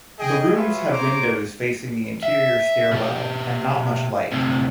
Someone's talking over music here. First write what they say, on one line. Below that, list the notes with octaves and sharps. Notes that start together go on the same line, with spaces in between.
The rooms had windows facing the interior stairwell and not much light.
G#4 D#5 G5
F4 F#4 G#4 B4 C#5 E5
C5 C#5 A#5 D6
E5
B2 G4
D2 C3